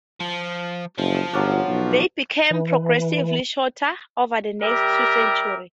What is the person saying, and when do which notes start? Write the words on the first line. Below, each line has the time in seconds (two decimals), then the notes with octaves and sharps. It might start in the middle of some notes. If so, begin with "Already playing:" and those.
They became progressively shorter over the next two centuries.
0.20 F3
0.98 F#1 F3
1.33 G1 F#3 C#4 D4
1.68 B1
2.51 E3
4.62 G3 G4 A#4 E5